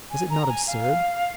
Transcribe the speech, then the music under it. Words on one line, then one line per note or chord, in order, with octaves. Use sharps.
Was it not absurd?
G#5
A#5
G#5
F5